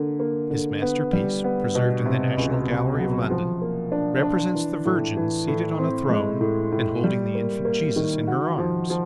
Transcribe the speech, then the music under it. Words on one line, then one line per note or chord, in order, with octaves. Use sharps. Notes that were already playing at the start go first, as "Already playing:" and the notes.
His masterpiece, preserved in the National Gallery of London, represents the Virgin seated on a throne and holding the infant Jesus in her arms.
Already playing: D3 A#3
A#3
D3
B3
G3
B3
B2
C3
C#2
C3
F#3
F3
A#3
D4
D4
E3
A2
E3
A2
C4
G#3
A2
A2
G3
A#3
A#3
D#3
F#4
F3
F3